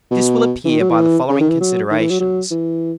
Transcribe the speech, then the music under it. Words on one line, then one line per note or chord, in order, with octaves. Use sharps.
This will appear by the following Considerations.
B2
E3
D#3
F#3
E3
C#3
D#3
E3
F#3
D#3
E3
F#3
F#3
E3